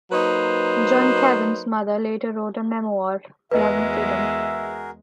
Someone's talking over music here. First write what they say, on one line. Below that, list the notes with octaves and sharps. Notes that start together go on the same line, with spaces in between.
Jan Kavan's mother later wrote a memoir, "Love and Freedom".
F#3 A#3 D#4 B4 C5
E2 G#3 F#4 G#4 A#4 B4 D#5 E5